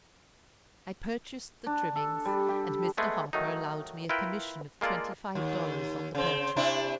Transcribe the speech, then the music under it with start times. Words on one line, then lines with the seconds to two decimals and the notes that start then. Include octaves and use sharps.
I purchased the trimmings, and Mr. Harper allowed me a commission of twenty-five dollars on the purchase.
1.66 D4
1.96 A4
2.25 G3
2.48 G4
2.97 G#3 A3 B3 G#4
3.33 D#3 F#3 A3 D#4
4.09 E4 F4 A#4 B4 G5
4.81 G#3 A#3 F4 A4 D5
5.35 D#2
6.15 C#3 C4
6.56 C3 D4 E4